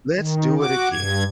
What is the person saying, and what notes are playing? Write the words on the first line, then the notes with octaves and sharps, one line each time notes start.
"Let's do it again."
D#3
F#4 D6
G2 G#6